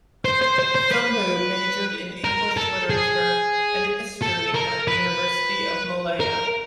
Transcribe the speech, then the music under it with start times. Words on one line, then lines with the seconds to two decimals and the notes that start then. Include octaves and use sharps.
Thumboo majored in English literature and history at the University of Malaya.
0.25 C5
0.42 C5
0.59 C5
0.75 C5
0.91 B4
2.24 A#4
2.57 A4
2.90 G#4
4.22 A4
4.55 A#4
4.88 B4
6.20 A#4